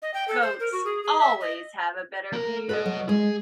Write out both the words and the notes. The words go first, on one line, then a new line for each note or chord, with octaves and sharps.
Goats always have a better view.
D#5
G5
A4
C5
A#4
F#4
G#4
G#4
E5
D#5
A#3 A#4
F#4 A4 B4 D5 D#5
F#3
G#3 G#4